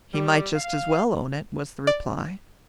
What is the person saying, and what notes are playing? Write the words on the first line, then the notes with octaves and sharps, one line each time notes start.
"He might just as well own it," was the reply.
G3
F5
D5